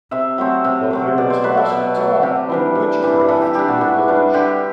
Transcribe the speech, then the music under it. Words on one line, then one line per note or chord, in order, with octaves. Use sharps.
But there was also talk of witchcraft in the village.
C3 E5
F#3 A3 C4
C3
F#3 A3 C4
B2 D5
C5
F#3 A3 B4
A4
B2
F#3 A3
C3 G4
E3 G3 D4
C3
E3 G3 D4
E3 A4
G4
G3 D4 G4
F#4
E3
G3 D4
D3 G4